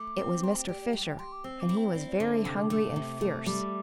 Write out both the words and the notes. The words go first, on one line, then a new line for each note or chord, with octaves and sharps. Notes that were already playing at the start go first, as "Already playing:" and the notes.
It was Mr. Fisher, and he was very hungry and fierce.
Already playing: A3 D6
C4
G4 C6
G5
G4 D5
D5
G3 G5
G5
G4 C6
D6
C4 E6
D6
E4
G5
C4 D5
D5
D3 D5
E5
C3 D6 E6
A3
C3
A3
G3 D6